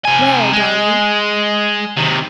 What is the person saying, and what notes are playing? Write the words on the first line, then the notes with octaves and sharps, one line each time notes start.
"Where, darling?"
C3 G#5
G#3
C3 D#3